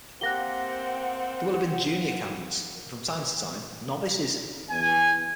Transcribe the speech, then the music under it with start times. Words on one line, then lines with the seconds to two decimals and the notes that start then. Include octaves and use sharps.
There will have been junior canons and, from time to time, novices.
0.21 A#3 C4 G4 F#5 F#6 A#6 G7
4.70 E2 G#5